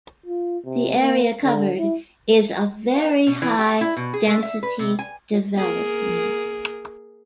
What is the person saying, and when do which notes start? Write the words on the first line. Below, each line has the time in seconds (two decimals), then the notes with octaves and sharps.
The area covered is of very high density development.
0.26 F4
0.65 C3
0.99 A#3
1.44 D3
1.78 E4
3.27 B2
3.42 E3
3.59 G4
3.81 E4
3.97 B2
4.13 G#4
4.27 A3
4.43 E5
4.63 B4
4.79 C3
4.99 G#5
5.56 A#3 G#4 A#4